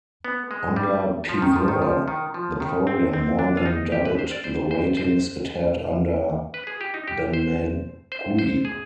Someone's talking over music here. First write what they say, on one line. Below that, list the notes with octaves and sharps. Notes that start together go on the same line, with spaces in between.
Under Pevere, the program more than doubled the ratings it had under Benmergui.
B3
G#3
G3
F3
D#3
F3
D#3
F3
D#3
F3
D#3
C4
C4
D4
F4
D#4
G4
B4
C5
D5
C5
C5
C5
B4
G#4
G4
D#4
G4
C5
C5
C5
G#4